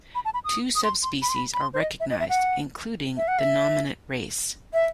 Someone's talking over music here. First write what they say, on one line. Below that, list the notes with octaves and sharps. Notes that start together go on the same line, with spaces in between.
Two subspecies are recognized, including the nominate race.
B5
A5
B5
D#6
D#6
C6
C6
B5
C6
B5
B5
C6
C5
D#5
E5
D#5
E5
F#5
E5
F#5
E5
E5